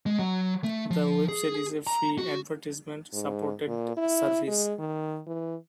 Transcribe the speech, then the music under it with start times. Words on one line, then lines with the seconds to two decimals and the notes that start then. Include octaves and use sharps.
The website is a free, advertisement-supported service.
0.06 G#3
0.19 F#3
0.64 A3
0.91 F3
1.28 G#4
1.87 A#5
2.18 F#4
3.13 G#2
3.67 A#2
3.97 E4
4.47 G#3
4.79 D#3
5.27 E3